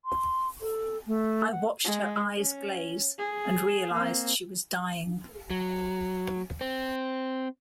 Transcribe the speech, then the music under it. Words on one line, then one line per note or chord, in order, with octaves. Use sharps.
I watched her eyes glaze and realized she was dying.
C6
A4
A3
F#5
G#3
C#4
G#4
A#3 C4
F#3
C4